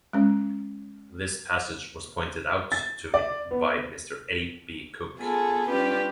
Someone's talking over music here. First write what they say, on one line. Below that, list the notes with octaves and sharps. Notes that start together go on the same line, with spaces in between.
This passage was pointed out to me by Mr. A. B. Cook.
G#3 C#4
A6
D5
B3
B3 F4 G#4 A4
G3 C#4 D4 F4 G4 B4